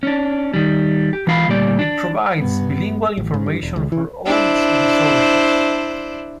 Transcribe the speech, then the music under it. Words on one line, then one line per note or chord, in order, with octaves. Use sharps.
It provides bilingual information for all its resources.
C#4 D4
D#3 G3
G4
E3 G#3 F4 F5 G#5 B5
D2 A#2 G3 D5
D4
G2 B3
A1
G#2
G2
E1
C#2
E3
D4 E4 C5